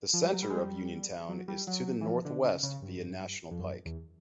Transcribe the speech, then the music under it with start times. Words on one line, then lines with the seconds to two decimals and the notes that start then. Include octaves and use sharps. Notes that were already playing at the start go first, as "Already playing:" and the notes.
The center of Uniontown is to the northwest via National Pike.
0.14 F3
0.24 G3
0.33 F#3
0.43 G3
0.50 G#3
0.57 G3
1.29 F#3
1.48 G3
1.67 F#3
2.01 E3
2.05 F3
2.25 D3
2.44 C#3
2.63 C#3
2.82 G2
3.51 F2
3.59 F#2
3.85 E2